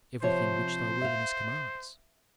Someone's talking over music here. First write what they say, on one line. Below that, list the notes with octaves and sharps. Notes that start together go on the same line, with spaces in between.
"Everything which thy worthiness commands."
C3 F3 C5 C#5
E5 F5